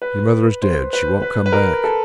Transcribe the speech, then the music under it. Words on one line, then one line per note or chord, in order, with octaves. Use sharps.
"Your mother is dead; she won't come back."
B4
C5
B4
B4
B4
A#4
A4